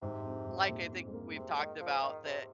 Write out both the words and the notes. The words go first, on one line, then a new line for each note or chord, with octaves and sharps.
l like I think we've talked about that
G#2 C3
F2
G#2
A#2
C4
G#3
A#3
C3 G#3
D#3
F3
D#3
C3